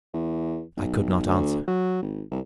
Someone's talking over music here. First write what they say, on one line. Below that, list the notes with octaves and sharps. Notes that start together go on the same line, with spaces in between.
I could not answer.
E2
B1
D2
F#3
G#1
C2